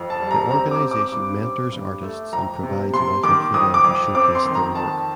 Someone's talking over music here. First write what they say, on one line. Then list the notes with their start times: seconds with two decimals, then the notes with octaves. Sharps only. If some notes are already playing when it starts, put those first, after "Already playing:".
The organization mentors artists and provides an outlet for them to showcase their work.
Already playing: F2
0.10 A5
0.20 G3
0.31 A#5
0.51 C4 A#5
0.71 D6
0.81 C4
0.91 D6
1.12 G2
1.42 C4
1.72 G2
2.03 A3
2.32 F2 A#5
2.63 C3
2.93 C3 C6
3.23 D#3 D6
3.54 F2 D#6
3.74 D6
3.84 F2
4.15 C4 D6
4.35 C6
4.45 D#3
4.55 A#5
4.75 F2 A5